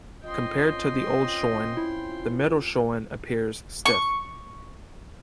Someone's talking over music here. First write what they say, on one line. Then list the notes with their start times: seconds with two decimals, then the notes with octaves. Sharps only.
Compared to the Old Shoin, The Middle Shoin appears stiff.
0.24 C4 C#4 F4 D#5 G5 C6
1.77 E4
3.86 C#6